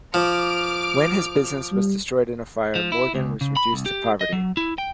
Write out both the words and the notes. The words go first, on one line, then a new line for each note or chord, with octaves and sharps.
When his business was destroyed in a fire, Morgan was reduced to poverty.
F3 D6 F6 D7
G3
F3
E4
C#2
C#3
B5
C2
G4
D#5
F#3
E4
G5